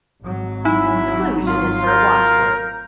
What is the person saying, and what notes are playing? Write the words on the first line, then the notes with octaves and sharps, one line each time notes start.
Seclusion is her watchword.
G#1 F#3
D#4 E4
F4
A#4 G6